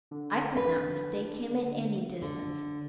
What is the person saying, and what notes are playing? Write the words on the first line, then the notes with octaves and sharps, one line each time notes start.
I could not mistake him at any distance.
D3
B4
D3